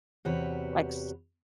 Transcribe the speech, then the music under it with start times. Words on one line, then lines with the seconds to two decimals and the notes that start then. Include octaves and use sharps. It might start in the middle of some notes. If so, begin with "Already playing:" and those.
like, s
0.25 E2 C3 F#4 G4 B4 C#5